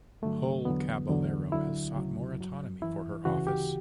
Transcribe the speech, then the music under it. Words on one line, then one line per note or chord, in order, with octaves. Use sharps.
Hull Caballero has sought more autonomy for her office.
G2 D3 F#3 A3
E2 D3 F#3 B3
E2 D3 F#3
D2 D3 F#3 E4
D2 C#3 F#3
G2 F#3
F#2 E3 E4
D2 C#3 E3 F#4
G4